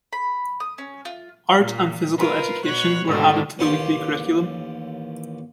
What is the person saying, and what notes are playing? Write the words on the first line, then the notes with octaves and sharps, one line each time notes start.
Art and physical education were added to the weekly curriculum.
B5
D#6
C#4
F4
A#2
F4 A#4 B4
B2 C#5 F#6
G#2 B2 D3 D#3 G3 A3
A1 D#2 C#4 G4 D5 C6